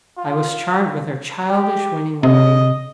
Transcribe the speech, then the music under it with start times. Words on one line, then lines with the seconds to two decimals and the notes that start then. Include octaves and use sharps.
I was charmed with her childish, winning way.
0.18 F4
1.49 G4
2.23 C3 D#5